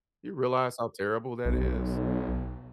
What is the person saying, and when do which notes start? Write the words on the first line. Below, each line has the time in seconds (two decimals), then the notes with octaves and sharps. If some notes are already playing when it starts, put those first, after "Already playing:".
You realize how terrible that is?
1.46 B1